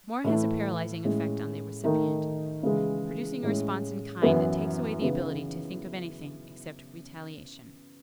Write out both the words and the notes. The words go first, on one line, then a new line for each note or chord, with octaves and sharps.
More has a paralyzing effect on the recipient, producing a response in kind that takes away the ability to think of anything except retaliation.
A2 E3 A3 E4
A2 G#3 C#4 E4
D#3 A3 D#4
C#3 E3 G#3
A2 G#3 C#4 E4
F#2 E3 B3
C#3 E3 B3 D#4